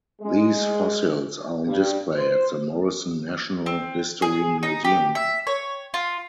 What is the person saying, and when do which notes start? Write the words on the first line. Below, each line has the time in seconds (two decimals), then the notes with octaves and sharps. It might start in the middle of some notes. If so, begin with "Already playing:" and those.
These fossils are on display at the Morrison Natural History Museum.
0.21 G#3
1.67 G2
2.15 C5
3.66 C4
4.22 G#4
4.63 D#4
4.85 G4
5.15 E5
5.47 C#5
5.94 F4